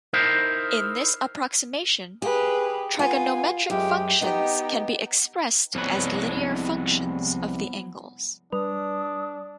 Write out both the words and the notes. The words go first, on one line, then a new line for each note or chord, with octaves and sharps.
In this approximation, trigonometric functions can be expressed as linear functions of the angles.
D#4 E4 A#4 C5
G4 G#4 B4
B3 F4 G#5
F#2 G#3 G4
B3 D#4 G4 D#5
C2 F3 G#3 B3 B4 C#5
G3 D4 B4 D#6